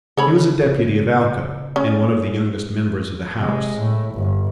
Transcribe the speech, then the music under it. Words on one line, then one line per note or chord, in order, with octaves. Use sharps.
He was a Deputy of Alca, and one of the youngest members of the House.
C#3 A4 C#5 B5
C#4
C3 G#3
A2
G1